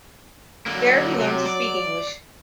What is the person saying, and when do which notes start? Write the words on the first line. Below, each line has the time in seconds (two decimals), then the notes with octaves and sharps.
There he learned to speak English.
0.66 D3 F#3 A#3
1.19 C3
1.46 D5